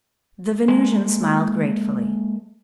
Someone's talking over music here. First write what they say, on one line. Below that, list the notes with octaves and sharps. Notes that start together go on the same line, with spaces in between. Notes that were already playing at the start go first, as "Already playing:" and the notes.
The Venusian smiled gratefully.
G#3 A#3 C5